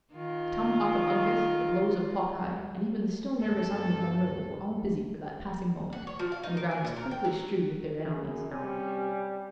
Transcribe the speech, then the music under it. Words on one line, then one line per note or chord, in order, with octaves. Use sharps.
The tomahawk of Uncas, the blows of Hawkeye, and even the still nervous arm of Munro were all busy for that passing moment, and the ground was quickly strewed with their enemies.
D#3 F4
G1 C2 A3 A4
F#5
C#5
F3
F5
D#4
A#4
G#5
A#2
A#4
G5
F#3
F#2 C#3
C3 G3 C#4